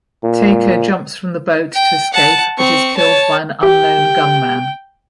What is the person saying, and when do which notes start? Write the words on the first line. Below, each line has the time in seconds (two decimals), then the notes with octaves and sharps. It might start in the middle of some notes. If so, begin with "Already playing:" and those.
Taeko jumps from the boat to escape but is killed by an unknown gunman.
0.24 A#2
1.75 G5
2.13 F#5 A5
2.58 C4 C#6
2.97 C#5 A5
3.63 G4 G5